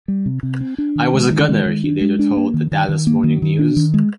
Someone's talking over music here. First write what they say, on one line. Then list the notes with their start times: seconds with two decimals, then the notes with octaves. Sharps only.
"I was a gunner", he later told the "Dallas Morning News".
0.08 G3
0.26 C3
0.43 C3
0.61 C4
0.78 D4
0.96 D#3
1.14 G#3
1.31 D#3
1.49 G#3
1.66 D#3
1.84 D4
2.01 G#3
2.19 D4
2.37 A#3
2.54 D#3
2.72 D#3
2.89 D#3
3.07 A#3
3.24 D#3
3.42 D#3
3.59 D4
3.77 D#3
3.94 G#3